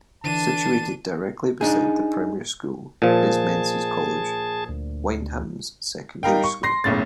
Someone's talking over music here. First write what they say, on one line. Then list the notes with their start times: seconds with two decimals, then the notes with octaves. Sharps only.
Situated directly beside the primary school is Menzies College, Wyndham's secondary school.
0.24 D3 E3 D4 A5 D#7
1.61 D4 D#4 G#4
3.02 A#2 F3 G#4 A5
4.69 D2
6.23 G3 D#4 A#4 F5 G5
6.44 C#6
6.63 C6 A#6 C7
6.84 F#1 B1 A2 C#3 A6